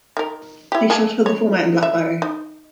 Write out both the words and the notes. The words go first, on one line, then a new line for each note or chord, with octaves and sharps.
Make sure to fill the form out in black biro.
D#3 A#4
E4 G4
A#3 G#4 A4
C#5
E5
D#4